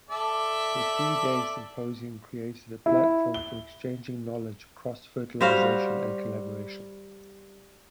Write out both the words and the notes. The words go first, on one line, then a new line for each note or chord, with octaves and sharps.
The three-day symposium created a platform for exchanging knowledge, cross fertilization and collaboration.
A4 D5 E5
E4
G7
G3 F#4 C5 F5